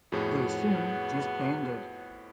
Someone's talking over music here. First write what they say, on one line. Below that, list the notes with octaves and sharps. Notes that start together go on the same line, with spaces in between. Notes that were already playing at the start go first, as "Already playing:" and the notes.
They soon disbanded.
F2 A2 B3 F#4 G#4 C#5